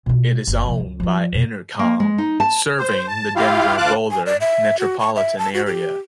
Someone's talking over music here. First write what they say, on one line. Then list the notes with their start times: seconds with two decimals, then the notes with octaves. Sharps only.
It is owned by Entercom, serving the Denver-Boulder metropolitan area.
0.06 B2 F4
0.47 F#1
0.66 C3 F3
0.80 C#2
1.00 F3 F4
1.33 F2 B2
1.79 A#3
2.00 G#3
2.18 D#4
2.40 A5
2.79 C5
3.08 A5
3.36 E4 F4 G4 F5
3.77 D2 F4 F5 A5 D6 F#6
4.11 G#5
4.26 D5
4.41 E5
4.79 F#4
5.00 C#6
5.16 E5
5.38 A5
5.54 F#4
5.66 G4